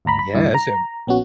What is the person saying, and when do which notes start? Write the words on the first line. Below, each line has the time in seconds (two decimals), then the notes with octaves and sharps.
Yes, and
0.05 G#1 D2 A#5 B5
0.19 B5
0.34 D2 G2 E4
0.54 A#5
1.07 A#1 B3 C#4 F#4